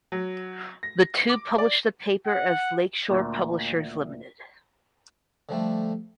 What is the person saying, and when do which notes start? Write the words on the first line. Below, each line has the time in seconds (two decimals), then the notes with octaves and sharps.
The two published the paper as Lakeshore Publishers Limited.
0.12 F#3
0.83 A#6
1.29 D6
1.58 D5
2.27 F#5
3.10 D2 A#2
5.49 D3 F3 G3 A3